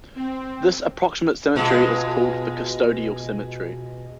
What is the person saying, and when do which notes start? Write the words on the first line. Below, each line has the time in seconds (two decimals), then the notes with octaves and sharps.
This approximate symmetry is called the custodial symmetry.
0.15 C4
1.56 B2 G#3 F4